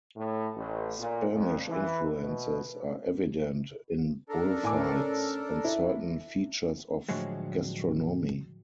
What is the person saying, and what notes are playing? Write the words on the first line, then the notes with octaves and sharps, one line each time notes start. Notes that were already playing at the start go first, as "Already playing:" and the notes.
Spanish influences are evident in bullfights and certain features of gastronomy.
A2
A1
A#2
F2
E3
B2
D4 A4 A#4
A2 G#5 D6
C#4
E4
A2 D3 F3 F#3 G#3